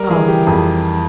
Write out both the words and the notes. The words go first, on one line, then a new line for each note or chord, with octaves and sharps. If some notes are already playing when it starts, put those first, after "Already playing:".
Oh, yeah.
Already playing: G3 A#4
E3 G#4
G4
F2 G#4